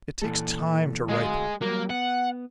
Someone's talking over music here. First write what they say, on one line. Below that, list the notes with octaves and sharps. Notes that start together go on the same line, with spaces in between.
It takes time to ripen.
A#2 E3 A4
D2 G#3 F#4 F5
F#3 G3 A#3 F#4
B3 F#5